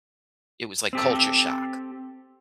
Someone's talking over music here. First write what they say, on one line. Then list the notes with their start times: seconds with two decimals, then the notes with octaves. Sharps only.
it was, like, culture shock.
0.93 C4 G4 A4